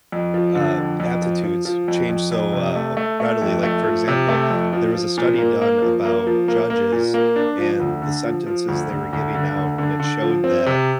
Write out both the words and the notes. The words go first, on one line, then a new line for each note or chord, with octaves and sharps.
uh, aptitudes changed so, uh, readily, like, for example, there was a study done about judges and the sentences they were giving out, and it showed that
F2
F3
D3
F2
F2
F3
F3
F3
F2
F2
F2
C3
A3
A3
A3
F2
A3
F3
C3
A3
F2
F3
F3
A#2
A#3
A#3
F3
A#3
F3
A#3
A#3
A#2
A#3
D4
F3
D2
D3
F3
F3
D2
D2
D2
D3
D2
D3
D3
F3
C4
C3